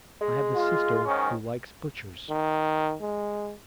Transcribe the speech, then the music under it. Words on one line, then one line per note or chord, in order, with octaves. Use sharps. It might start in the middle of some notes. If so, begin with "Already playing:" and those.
I have a sister who likes butchers.
G#3
F4
G#2 D#3 C#4
D#3
G#3